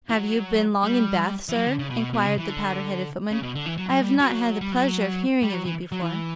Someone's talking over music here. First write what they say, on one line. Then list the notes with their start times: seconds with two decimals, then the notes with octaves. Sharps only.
'Have you been long in Bath, sir?' inquired the powdered-headed footman. 'I have not had the pleasure of hearing of you before.'
0.09 E3
0.13 F#3
0.84 G3
1.49 E3
1.55 F#3
1.66 D3
1.79 C#3
1.90 B2
2.14 B2
2.26 C#3
2.38 E3
2.49 D3
3.31 C#3
3.43 B2
3.55 D3
3.66 E3
3.78 F#3
3.90 F#3
4.01 G3
4.20 F#3
4.61 G3
4.72 F#3
5.43 G3
5.54 F#3
5.66 E3
5.92 F#3
6.02 E3